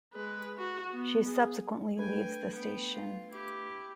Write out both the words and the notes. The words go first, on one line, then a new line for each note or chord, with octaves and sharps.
She subsequently leaves the station.
G#3 B4
F#4
B3
G#4
A3 D4 B4 G5 G#5
B3 G5
F4
E4 G4